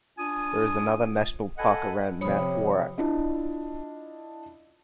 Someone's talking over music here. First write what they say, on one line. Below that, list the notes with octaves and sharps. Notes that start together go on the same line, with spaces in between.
There is another national park around Mount Worak.
D4 F4 G#5 D#6
A4 D#5 F#5 G#5 B5
C3 F3 C#5 B5 D#6
D4 E4 F4 D#5